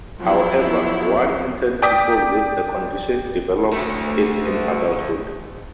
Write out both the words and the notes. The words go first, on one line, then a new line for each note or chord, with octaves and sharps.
However, one in ten people with the condition develops it in adulthood.
F3 F#3 B3 E4
D5 G5 D6 D#6 B6
D2 A3